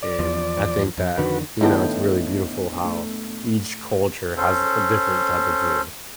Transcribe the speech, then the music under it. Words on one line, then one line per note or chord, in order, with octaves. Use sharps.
and I think that, you know, it's really beautiful how each culture has a different type of food.
D5
E2 F3
F2
F2 D3 D#3 F#4 B4
A2 D#3 B3 D4 F4 D#5 G5 A5
A3
C#4 A4 C5